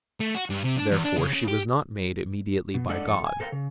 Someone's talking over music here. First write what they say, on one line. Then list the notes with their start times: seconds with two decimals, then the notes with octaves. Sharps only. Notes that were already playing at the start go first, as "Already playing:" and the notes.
Therefore she was not made immediately by God.
0.20 A3
0.35 F#4
0.50 G2
0.64 C3
0.78 D4
0.92 E2
1.05 D4
1.17 C#3
1.33 C#3
1.48 G4
2.74 B2
2.89 G#3 D4 A4 D5 D#5 F#5
3.07 F2 A4
3.26 G#5
3.40 A4 A#4 C5 D5 F5 G5
3.52 C#3